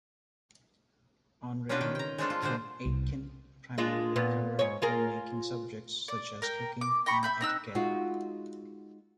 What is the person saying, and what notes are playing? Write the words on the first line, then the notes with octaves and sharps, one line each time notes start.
On radio, Kate Aitken primarily covered homemaking subjects such as cooking and etiquette.
C#4 D4 F4 F#4 B4 G5
D#3 G5
G5 A#5
G#3 A3 C4 D4 F4 A4
F4
A#2 D3 G#3 D4 C5
C2
G#3 D4 F4
A#2 B3
G#2 C#5
F4 G#4 A#4
D5
A#4 G5
D6
G5 A#5 B5 C#6
E5 B5 G6
C4 D#4 E6 F#6
G#3 D#4 F4 F#4